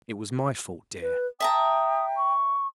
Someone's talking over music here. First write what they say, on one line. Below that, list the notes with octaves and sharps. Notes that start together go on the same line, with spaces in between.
'It was my fault, dear.
B4
E5 G5 A5 A#5 D#6
C#6